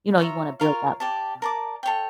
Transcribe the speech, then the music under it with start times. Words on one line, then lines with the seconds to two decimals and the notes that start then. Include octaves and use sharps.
you know, you wanna build that bond.
0.18 F4 C#5 E5 A#5
0.60 F4 A#4 C#5 F5
1.00 G4 D5 A5
1.42 A#4 D5 A5 D6
1.83 A4 C#5 G5